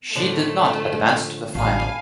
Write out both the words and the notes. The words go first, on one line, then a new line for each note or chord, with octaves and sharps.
She did not advance to the final.
A2 D3 F3 A3
A1 F5 G#5 A5 B5